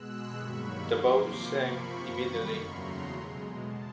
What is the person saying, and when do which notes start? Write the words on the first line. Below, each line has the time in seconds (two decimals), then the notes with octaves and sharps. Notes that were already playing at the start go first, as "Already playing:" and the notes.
The bow sank immediately.
Already playing: B2 G#3 E6 F#6
0.33 G2 D#3 F#3 A#3 B5 C#6
0.88 C3 F3 A#3 C6 D6
1.43 C3 F3 A#3 B5 C#6
1.97 F#2 D#3 G3 A#3 B5 C#6
2.52 E2 C#3 F#3 A3 A#5 C6
3.08 B2 G#3
3.62 A5